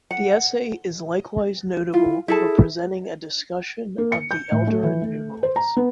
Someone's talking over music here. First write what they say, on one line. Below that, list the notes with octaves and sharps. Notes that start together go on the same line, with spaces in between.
The essay is likewise notable for presenting a discussion of the Eldarin numerals.
F#5
E4 F4
E4 G#4 A4 A5
A#3
C#7
G6
A2
A3
E3
A3
C5
A#5
B3